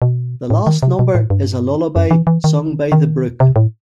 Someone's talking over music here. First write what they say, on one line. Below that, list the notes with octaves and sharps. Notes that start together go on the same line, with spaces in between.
The last number is a lullaby sung by the brook.
B2
A2
D#3
C3
B2
A2
G2
F#2
E3
E3
D#3
D#3
C3
A2